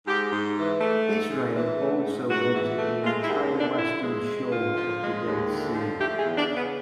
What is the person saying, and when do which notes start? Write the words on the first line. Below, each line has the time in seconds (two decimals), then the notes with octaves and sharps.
Israel also wanted the entire western shore of the Dead Sea.
0.06 G#2 G4
0.31 G#2
0.56 E3
0.81 A3
1.05 G#2
1.30 G#2
1.54 E3
1.80 A3
2.04 G#2
2.29 G#2 F#4
2.54 E3
2.78 A3
3.03 G#3 F4
3.22 E4
3.28 D#2
3.53 D3
3.59 D4
3.77 F3 E4
4.02 G#3
4.26 D#2
4.51 D3 F4
4.76 F3
5.01 G#3
5.26 D#2
5.50 D3
5.75 F3
5.99 A3 G4
6.19 G#4
6.24 E2
6.36 D4
6.49 C#3
6.55 B3